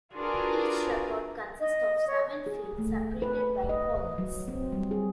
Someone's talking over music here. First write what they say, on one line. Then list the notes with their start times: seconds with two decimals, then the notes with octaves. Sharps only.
Each record consists of seven fields separated by colons.
0.14 D4 F4 F#4 G#4 A#4 B4
1.60 D#5
2.07 C#5
2.46 G#4
2.78 A3
3.22 B4
3.69 D#5
4.18 F#3
4.48 C4
4.72 G3
4.91 G#4